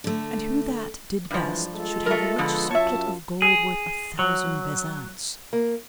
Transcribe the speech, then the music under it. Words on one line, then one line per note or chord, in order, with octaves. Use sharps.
And who that did best should have a rich circlet of gold worth a thousand besants.
D3 A3
G2 E3 F3 G#3
G#3 F4 A4
A3 A#4
D3 F3 B3
F#2 F4 C#5 E5 A5
G#4
F#3
A#3